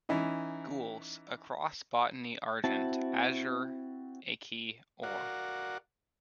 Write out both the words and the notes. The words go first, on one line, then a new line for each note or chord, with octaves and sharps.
Gules, a Cross bottony Argent; Azure, a Key Or.
E3 C#4 D#4
C4 E4 F#4 A5
F#4 A#4 D5 F5 F#5